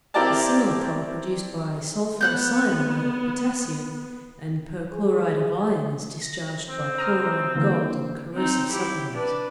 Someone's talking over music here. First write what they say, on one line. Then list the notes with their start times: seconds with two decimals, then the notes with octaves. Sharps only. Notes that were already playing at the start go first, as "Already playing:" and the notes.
The similar colour produced by sulpho-cyanide of potassium and perchloride of iron is discharged by chloride of gold and corrosive sublimate.
0.14 C4 E4 G4 A#4 D5 A5
2.21 B3 F#5 F#6 G6
4.93 G#4
6.22 A#6
6.68 C4
6.98 A#5 D#6 F6
7.55 D3 E3 A#3
8.34 C4 D#4
8.69 E4 G4
9.13 D4 B4